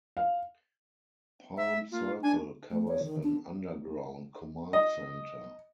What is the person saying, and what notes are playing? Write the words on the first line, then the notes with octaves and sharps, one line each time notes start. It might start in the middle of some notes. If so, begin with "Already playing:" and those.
Palm Circle covers an underground command center.
F5
E5
A#3 F4
D4 G#5
A3
C#5
D#3
D4
D#5